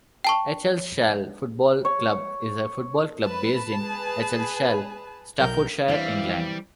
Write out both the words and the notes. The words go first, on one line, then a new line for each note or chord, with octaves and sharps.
Eccleshall Football Club is a football club based in Eccleshall, Staffordshire, England.
G5 A5 C#6
C#5
B4 A5 B5
G#4 B4
B1 F#3 A#4 G6
E3 G3 C4 E5 F5